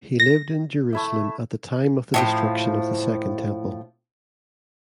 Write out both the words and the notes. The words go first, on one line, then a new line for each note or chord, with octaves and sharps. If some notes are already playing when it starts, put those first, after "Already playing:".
He lived in Jerusalem at the time of the destruction of the Second Temple.
A#6
A3 E4 E5
A2 E3 F3